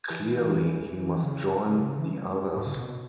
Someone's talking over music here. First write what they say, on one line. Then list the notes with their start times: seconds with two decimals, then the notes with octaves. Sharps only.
Clearly he must join the others.
0.10 E3
1.23 C#3
1.80 C#3
1.99 E3
2.14 E3
2.18 C#3
2.56 G#2
2.67 C#3
2.74 B2
2.88 B2